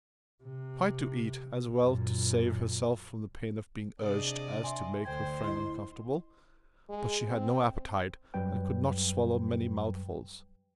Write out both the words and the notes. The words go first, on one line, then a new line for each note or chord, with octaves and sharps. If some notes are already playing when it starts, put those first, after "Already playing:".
She tried to eat, as well to save herself from the pain of being urged as to make her friend comfortable; but she had no appetite, and could not swallow many mouthfuls.
C3
F#2 A#2
C3 D4 G#4 D5 D#5
E5 G#5 C6
D2 D3 C5 G5 G#6
E4 D#5 C6
G#3
C4
F#2 F#3 G3 B4 G5